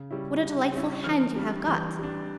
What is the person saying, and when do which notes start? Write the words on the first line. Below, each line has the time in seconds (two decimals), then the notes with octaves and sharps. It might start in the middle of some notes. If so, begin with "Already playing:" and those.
What a delightful hand you have got!
Already playing: C#3
0.11 G3 C#4 E4
0.42 C#3
0.73 G3 C#4 E4
1.04 E3 F6
1.36 G3 D4
1.67 E3 G6
1.99 G3 D4